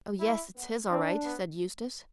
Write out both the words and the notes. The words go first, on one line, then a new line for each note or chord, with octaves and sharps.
"Oh, yes, it's his all right," said Eustace.
G3 E4
B3
C4 D4
B3